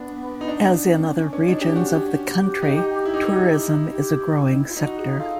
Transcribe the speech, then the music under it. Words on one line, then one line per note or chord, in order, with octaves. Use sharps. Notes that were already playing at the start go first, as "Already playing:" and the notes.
As in other regions of the country, tourism is a growing sector.
Already playing: B3 D4
D#4
D4
C4
C#4
C#4
C#4 D4
D4 D#4
D4 G4
C#4 F#4
G4
G4
D#4
E4
D#4
E4
G4
D4
D#4
E4
F4
D#4 F#4
G#4
F4 A4